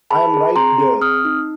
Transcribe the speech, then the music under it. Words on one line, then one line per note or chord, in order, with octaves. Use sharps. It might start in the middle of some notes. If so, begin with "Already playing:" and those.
I'm right there.
G#4 A5 B5
G#4
C4 A#5 C6
G#4
C4 D#6 F6
D#4